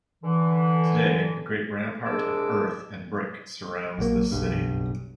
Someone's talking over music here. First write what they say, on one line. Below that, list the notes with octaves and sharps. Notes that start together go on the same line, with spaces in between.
Today a great rampart of earth and brick surrounds this city.
D3 E3
C2 G#3 D4 G#4 D6 E6
A#1 F#3 A#3
F#1 B1 G2